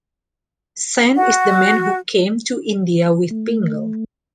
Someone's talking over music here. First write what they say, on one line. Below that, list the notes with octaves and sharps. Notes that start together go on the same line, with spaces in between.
Sen is the man who came to India with Pingle.
F#4
A3